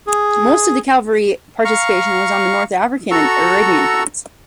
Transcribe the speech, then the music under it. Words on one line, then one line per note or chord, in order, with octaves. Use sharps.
Most of the cavalry participation was on the North African and Arabian fronts.
G#4
F5 A#5 C#6
F#4 A4 A#5 C#6 E6